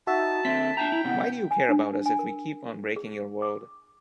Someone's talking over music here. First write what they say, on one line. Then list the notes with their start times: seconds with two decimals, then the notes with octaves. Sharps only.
Why do you care about us if we keep on breaking your world?
0.07 D#4 F#4 E5 A5
0.45 D3 C4 E5 B6
0.77 D4 E5 G5 A5 A#5
0.92 E4
1.04 C3 B3 C#4 F#5
1.51 G#5
1.69 D4
2.06 G#5
2.19 A#4
2.96 G#4
3.42 D6